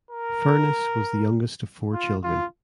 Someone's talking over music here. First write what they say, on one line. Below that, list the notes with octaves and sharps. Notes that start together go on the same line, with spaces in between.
Furness was the youngest of four children.
A#4
F4
F4